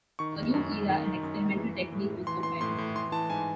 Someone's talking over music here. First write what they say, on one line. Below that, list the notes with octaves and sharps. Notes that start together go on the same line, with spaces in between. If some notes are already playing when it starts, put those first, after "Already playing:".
A new era in experimental technique was opened.
D#3 C#6
D#3
F#2
F#2
D#3
D#3
F#2
F#2
E3
E3
A2
A2
E3 C6
E3 C6
A2 C6
A2
E3 C6
E3 A5
G#2 G#5